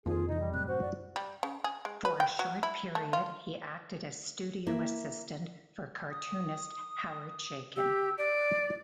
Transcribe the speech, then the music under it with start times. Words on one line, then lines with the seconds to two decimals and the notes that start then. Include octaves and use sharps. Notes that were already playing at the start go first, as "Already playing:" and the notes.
For a short period he acted as studio assistant for cartoonist Howard Chaykin.
0.06 F2 D#3 A#3 F4 G#4
0.28 C3 E3 D#4 D#5
0.40 G3
0.53 F#2 A2 C3 F#6
0.68 F#4 C5
0.82 F#2 D5
1.16 G3
1.43 C#3
1.64 G#4
1.85 G#3
2.05 B4
2.20 G5
2.39 F#3
2.63 E4
2.95 A3
3.13 F4
4.67 A#3 E4
6.10 D#6
7.76 G4 E6
8.18 D5 D7